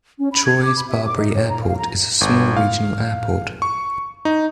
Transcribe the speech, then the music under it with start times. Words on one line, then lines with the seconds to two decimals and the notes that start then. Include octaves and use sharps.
Troyes - Barberey Airport is a small regional airport.
0.19 C#4
0.33 B5
0.45 G#6
0.62 D6
0.77 B5
0.88 E5
1.05 D6
1.17 D#4
1.35 C#5
1.49 A#5
1.62 F5
1.76 A#5
2.21 G1
2.57 F5
3.62 C#6
4.25 D#4